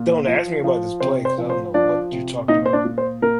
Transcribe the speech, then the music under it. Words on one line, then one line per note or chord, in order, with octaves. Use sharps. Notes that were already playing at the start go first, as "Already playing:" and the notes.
"Don't ask me about this play, 'cause I don't know what you're talking about.
Already playing: A#2
F3
F3
C3 C5
C5
F3
C5
F3 D4 D5
C3
A#2 D#4 D#5
C5
D4 D5
A#2
C5
A#2 A#4